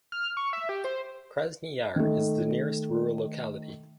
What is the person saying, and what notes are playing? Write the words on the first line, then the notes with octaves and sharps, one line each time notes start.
Krasny Yar is the nearest rural locality.
F6
C#6
E5
G4
C5
D#3 A3